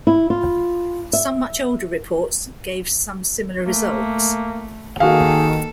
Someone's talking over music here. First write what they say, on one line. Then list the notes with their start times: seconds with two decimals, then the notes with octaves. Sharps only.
Some much older reports gave some similar results.
0.07 E4
0.30 F4
1.13 E5
3.66 A3 A#3
5.00 D#3 A#3 F#4 G#4 A4 F5